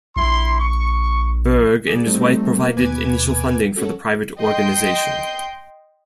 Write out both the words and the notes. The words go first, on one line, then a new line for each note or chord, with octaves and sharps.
Bergh and his wife provided initial funding for the private organization.
A#1 E4 C6
C#6
G#4 D5
G3 A3 C4 D#4
A#3
D#2 B2 B4 G#5 D6 G#6
C#4 F#4 A4
D#5 G5 C6 G6